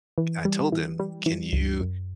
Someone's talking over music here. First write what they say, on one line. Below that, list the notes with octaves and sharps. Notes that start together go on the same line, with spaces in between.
I told them, "Can you"
E3
G3
E3
G3
E3
C#2
F#2